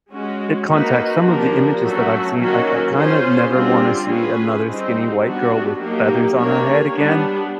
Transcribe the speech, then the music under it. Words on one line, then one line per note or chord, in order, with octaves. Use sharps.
eh, context, some of the images that I've seen, I I kind of never wanna see another skinny white girl with feathers on her head again,
G#3 C#4 F#4
A#3 D#4 F#4 B4
F3 A#3 D4 G4 A#4
F#3 A3 C#4 F#4
D#3 F#3 A#3 C#4 F#4
C#4 F4 G#4 C5
D3 G3 C4 F4
C#4 F4 G#4 B4
G3 C4 D#4
G3 B3 D4 F#4
F#3 A#3 D#4 G4
A#3 D4 G4 A#4 C#5
G3 B3 D4